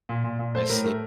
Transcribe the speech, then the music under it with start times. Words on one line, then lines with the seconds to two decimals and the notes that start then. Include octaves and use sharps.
I see
0.09 A#2
0.24 A#2
0.39 A#2
0.55 A3 C5
0.70 A2 A#4
0.84 A3 A#4